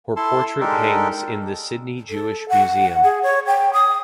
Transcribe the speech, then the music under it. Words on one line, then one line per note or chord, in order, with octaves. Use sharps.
Her portrait hangs in the Sydney Jewish Museum.
E4 A4 A5 C6
G#3 D4 D#4 G4 A4 A#4
A4
F#5
G#4
C#5
G5
D#6